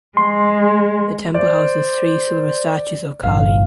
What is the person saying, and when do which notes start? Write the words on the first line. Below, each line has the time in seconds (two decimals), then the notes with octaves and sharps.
The temple houses three silver statues of Kali.
0.17 G#3 C6
1.34 C5 D5
3.23 G1 E2 F5